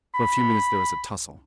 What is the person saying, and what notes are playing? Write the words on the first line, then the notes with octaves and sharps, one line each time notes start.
For a few minutes there was a tussle.
B5